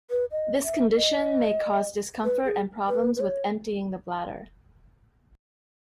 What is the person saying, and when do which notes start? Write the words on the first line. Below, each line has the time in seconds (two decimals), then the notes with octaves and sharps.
This condition may cause discomfort and problems with emptying the bladder.
0.10 B4
0.31 D#5
0.64 E5
0.96 D#5
2.24 B4
2.45 G#4
2.88 B4
3.16 B4
3.20 C#5